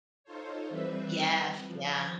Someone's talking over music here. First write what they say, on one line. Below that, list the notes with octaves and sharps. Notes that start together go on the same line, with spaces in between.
Yes, yeah.
D#4 F4 A4 C5 C#5
E3 G3 C4 B4 E5
F3